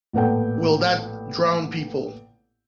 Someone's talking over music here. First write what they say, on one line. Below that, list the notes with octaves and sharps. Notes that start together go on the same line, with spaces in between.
Will that drown people?
A1 A#2 B3 A4 G5